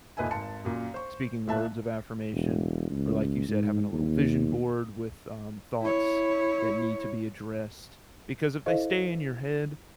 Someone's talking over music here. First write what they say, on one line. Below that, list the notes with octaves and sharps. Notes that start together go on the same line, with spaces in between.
speaking words of affirmation, or like you said, having a little vision board with, um, thoughts that need to be addressed, because if they stay in your head,
F1 A#2 B4 D#5 E5 G#5
G#1 A5 C#7
F#2 A#2
C5 C#6
A#2 E5 A5 F#6
E1
C#2
G#2
D#2
E4 C#5
E4 A4 C5 D#5 F5